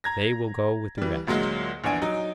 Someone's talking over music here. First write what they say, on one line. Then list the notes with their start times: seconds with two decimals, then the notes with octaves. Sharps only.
They will go with the rest.
0.04 A#5 G#6 A#6
0.98 E3 G3
1.27 D2 A#2 F#3 G#3
1.84 A#1 E2 D4 G#5 D7
2.02 F#3 D#4